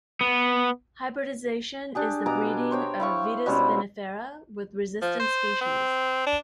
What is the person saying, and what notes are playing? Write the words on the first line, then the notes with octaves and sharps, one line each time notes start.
Hybridization is the breeding of "Vitis vinifera" with resistant species.
B3
D4 G4 G#4
B2 G#4 A#5 D6
C5 C#5 G5
E4 F5 C#6
B2 G3 C4 C#4
F3
C5
C4
D4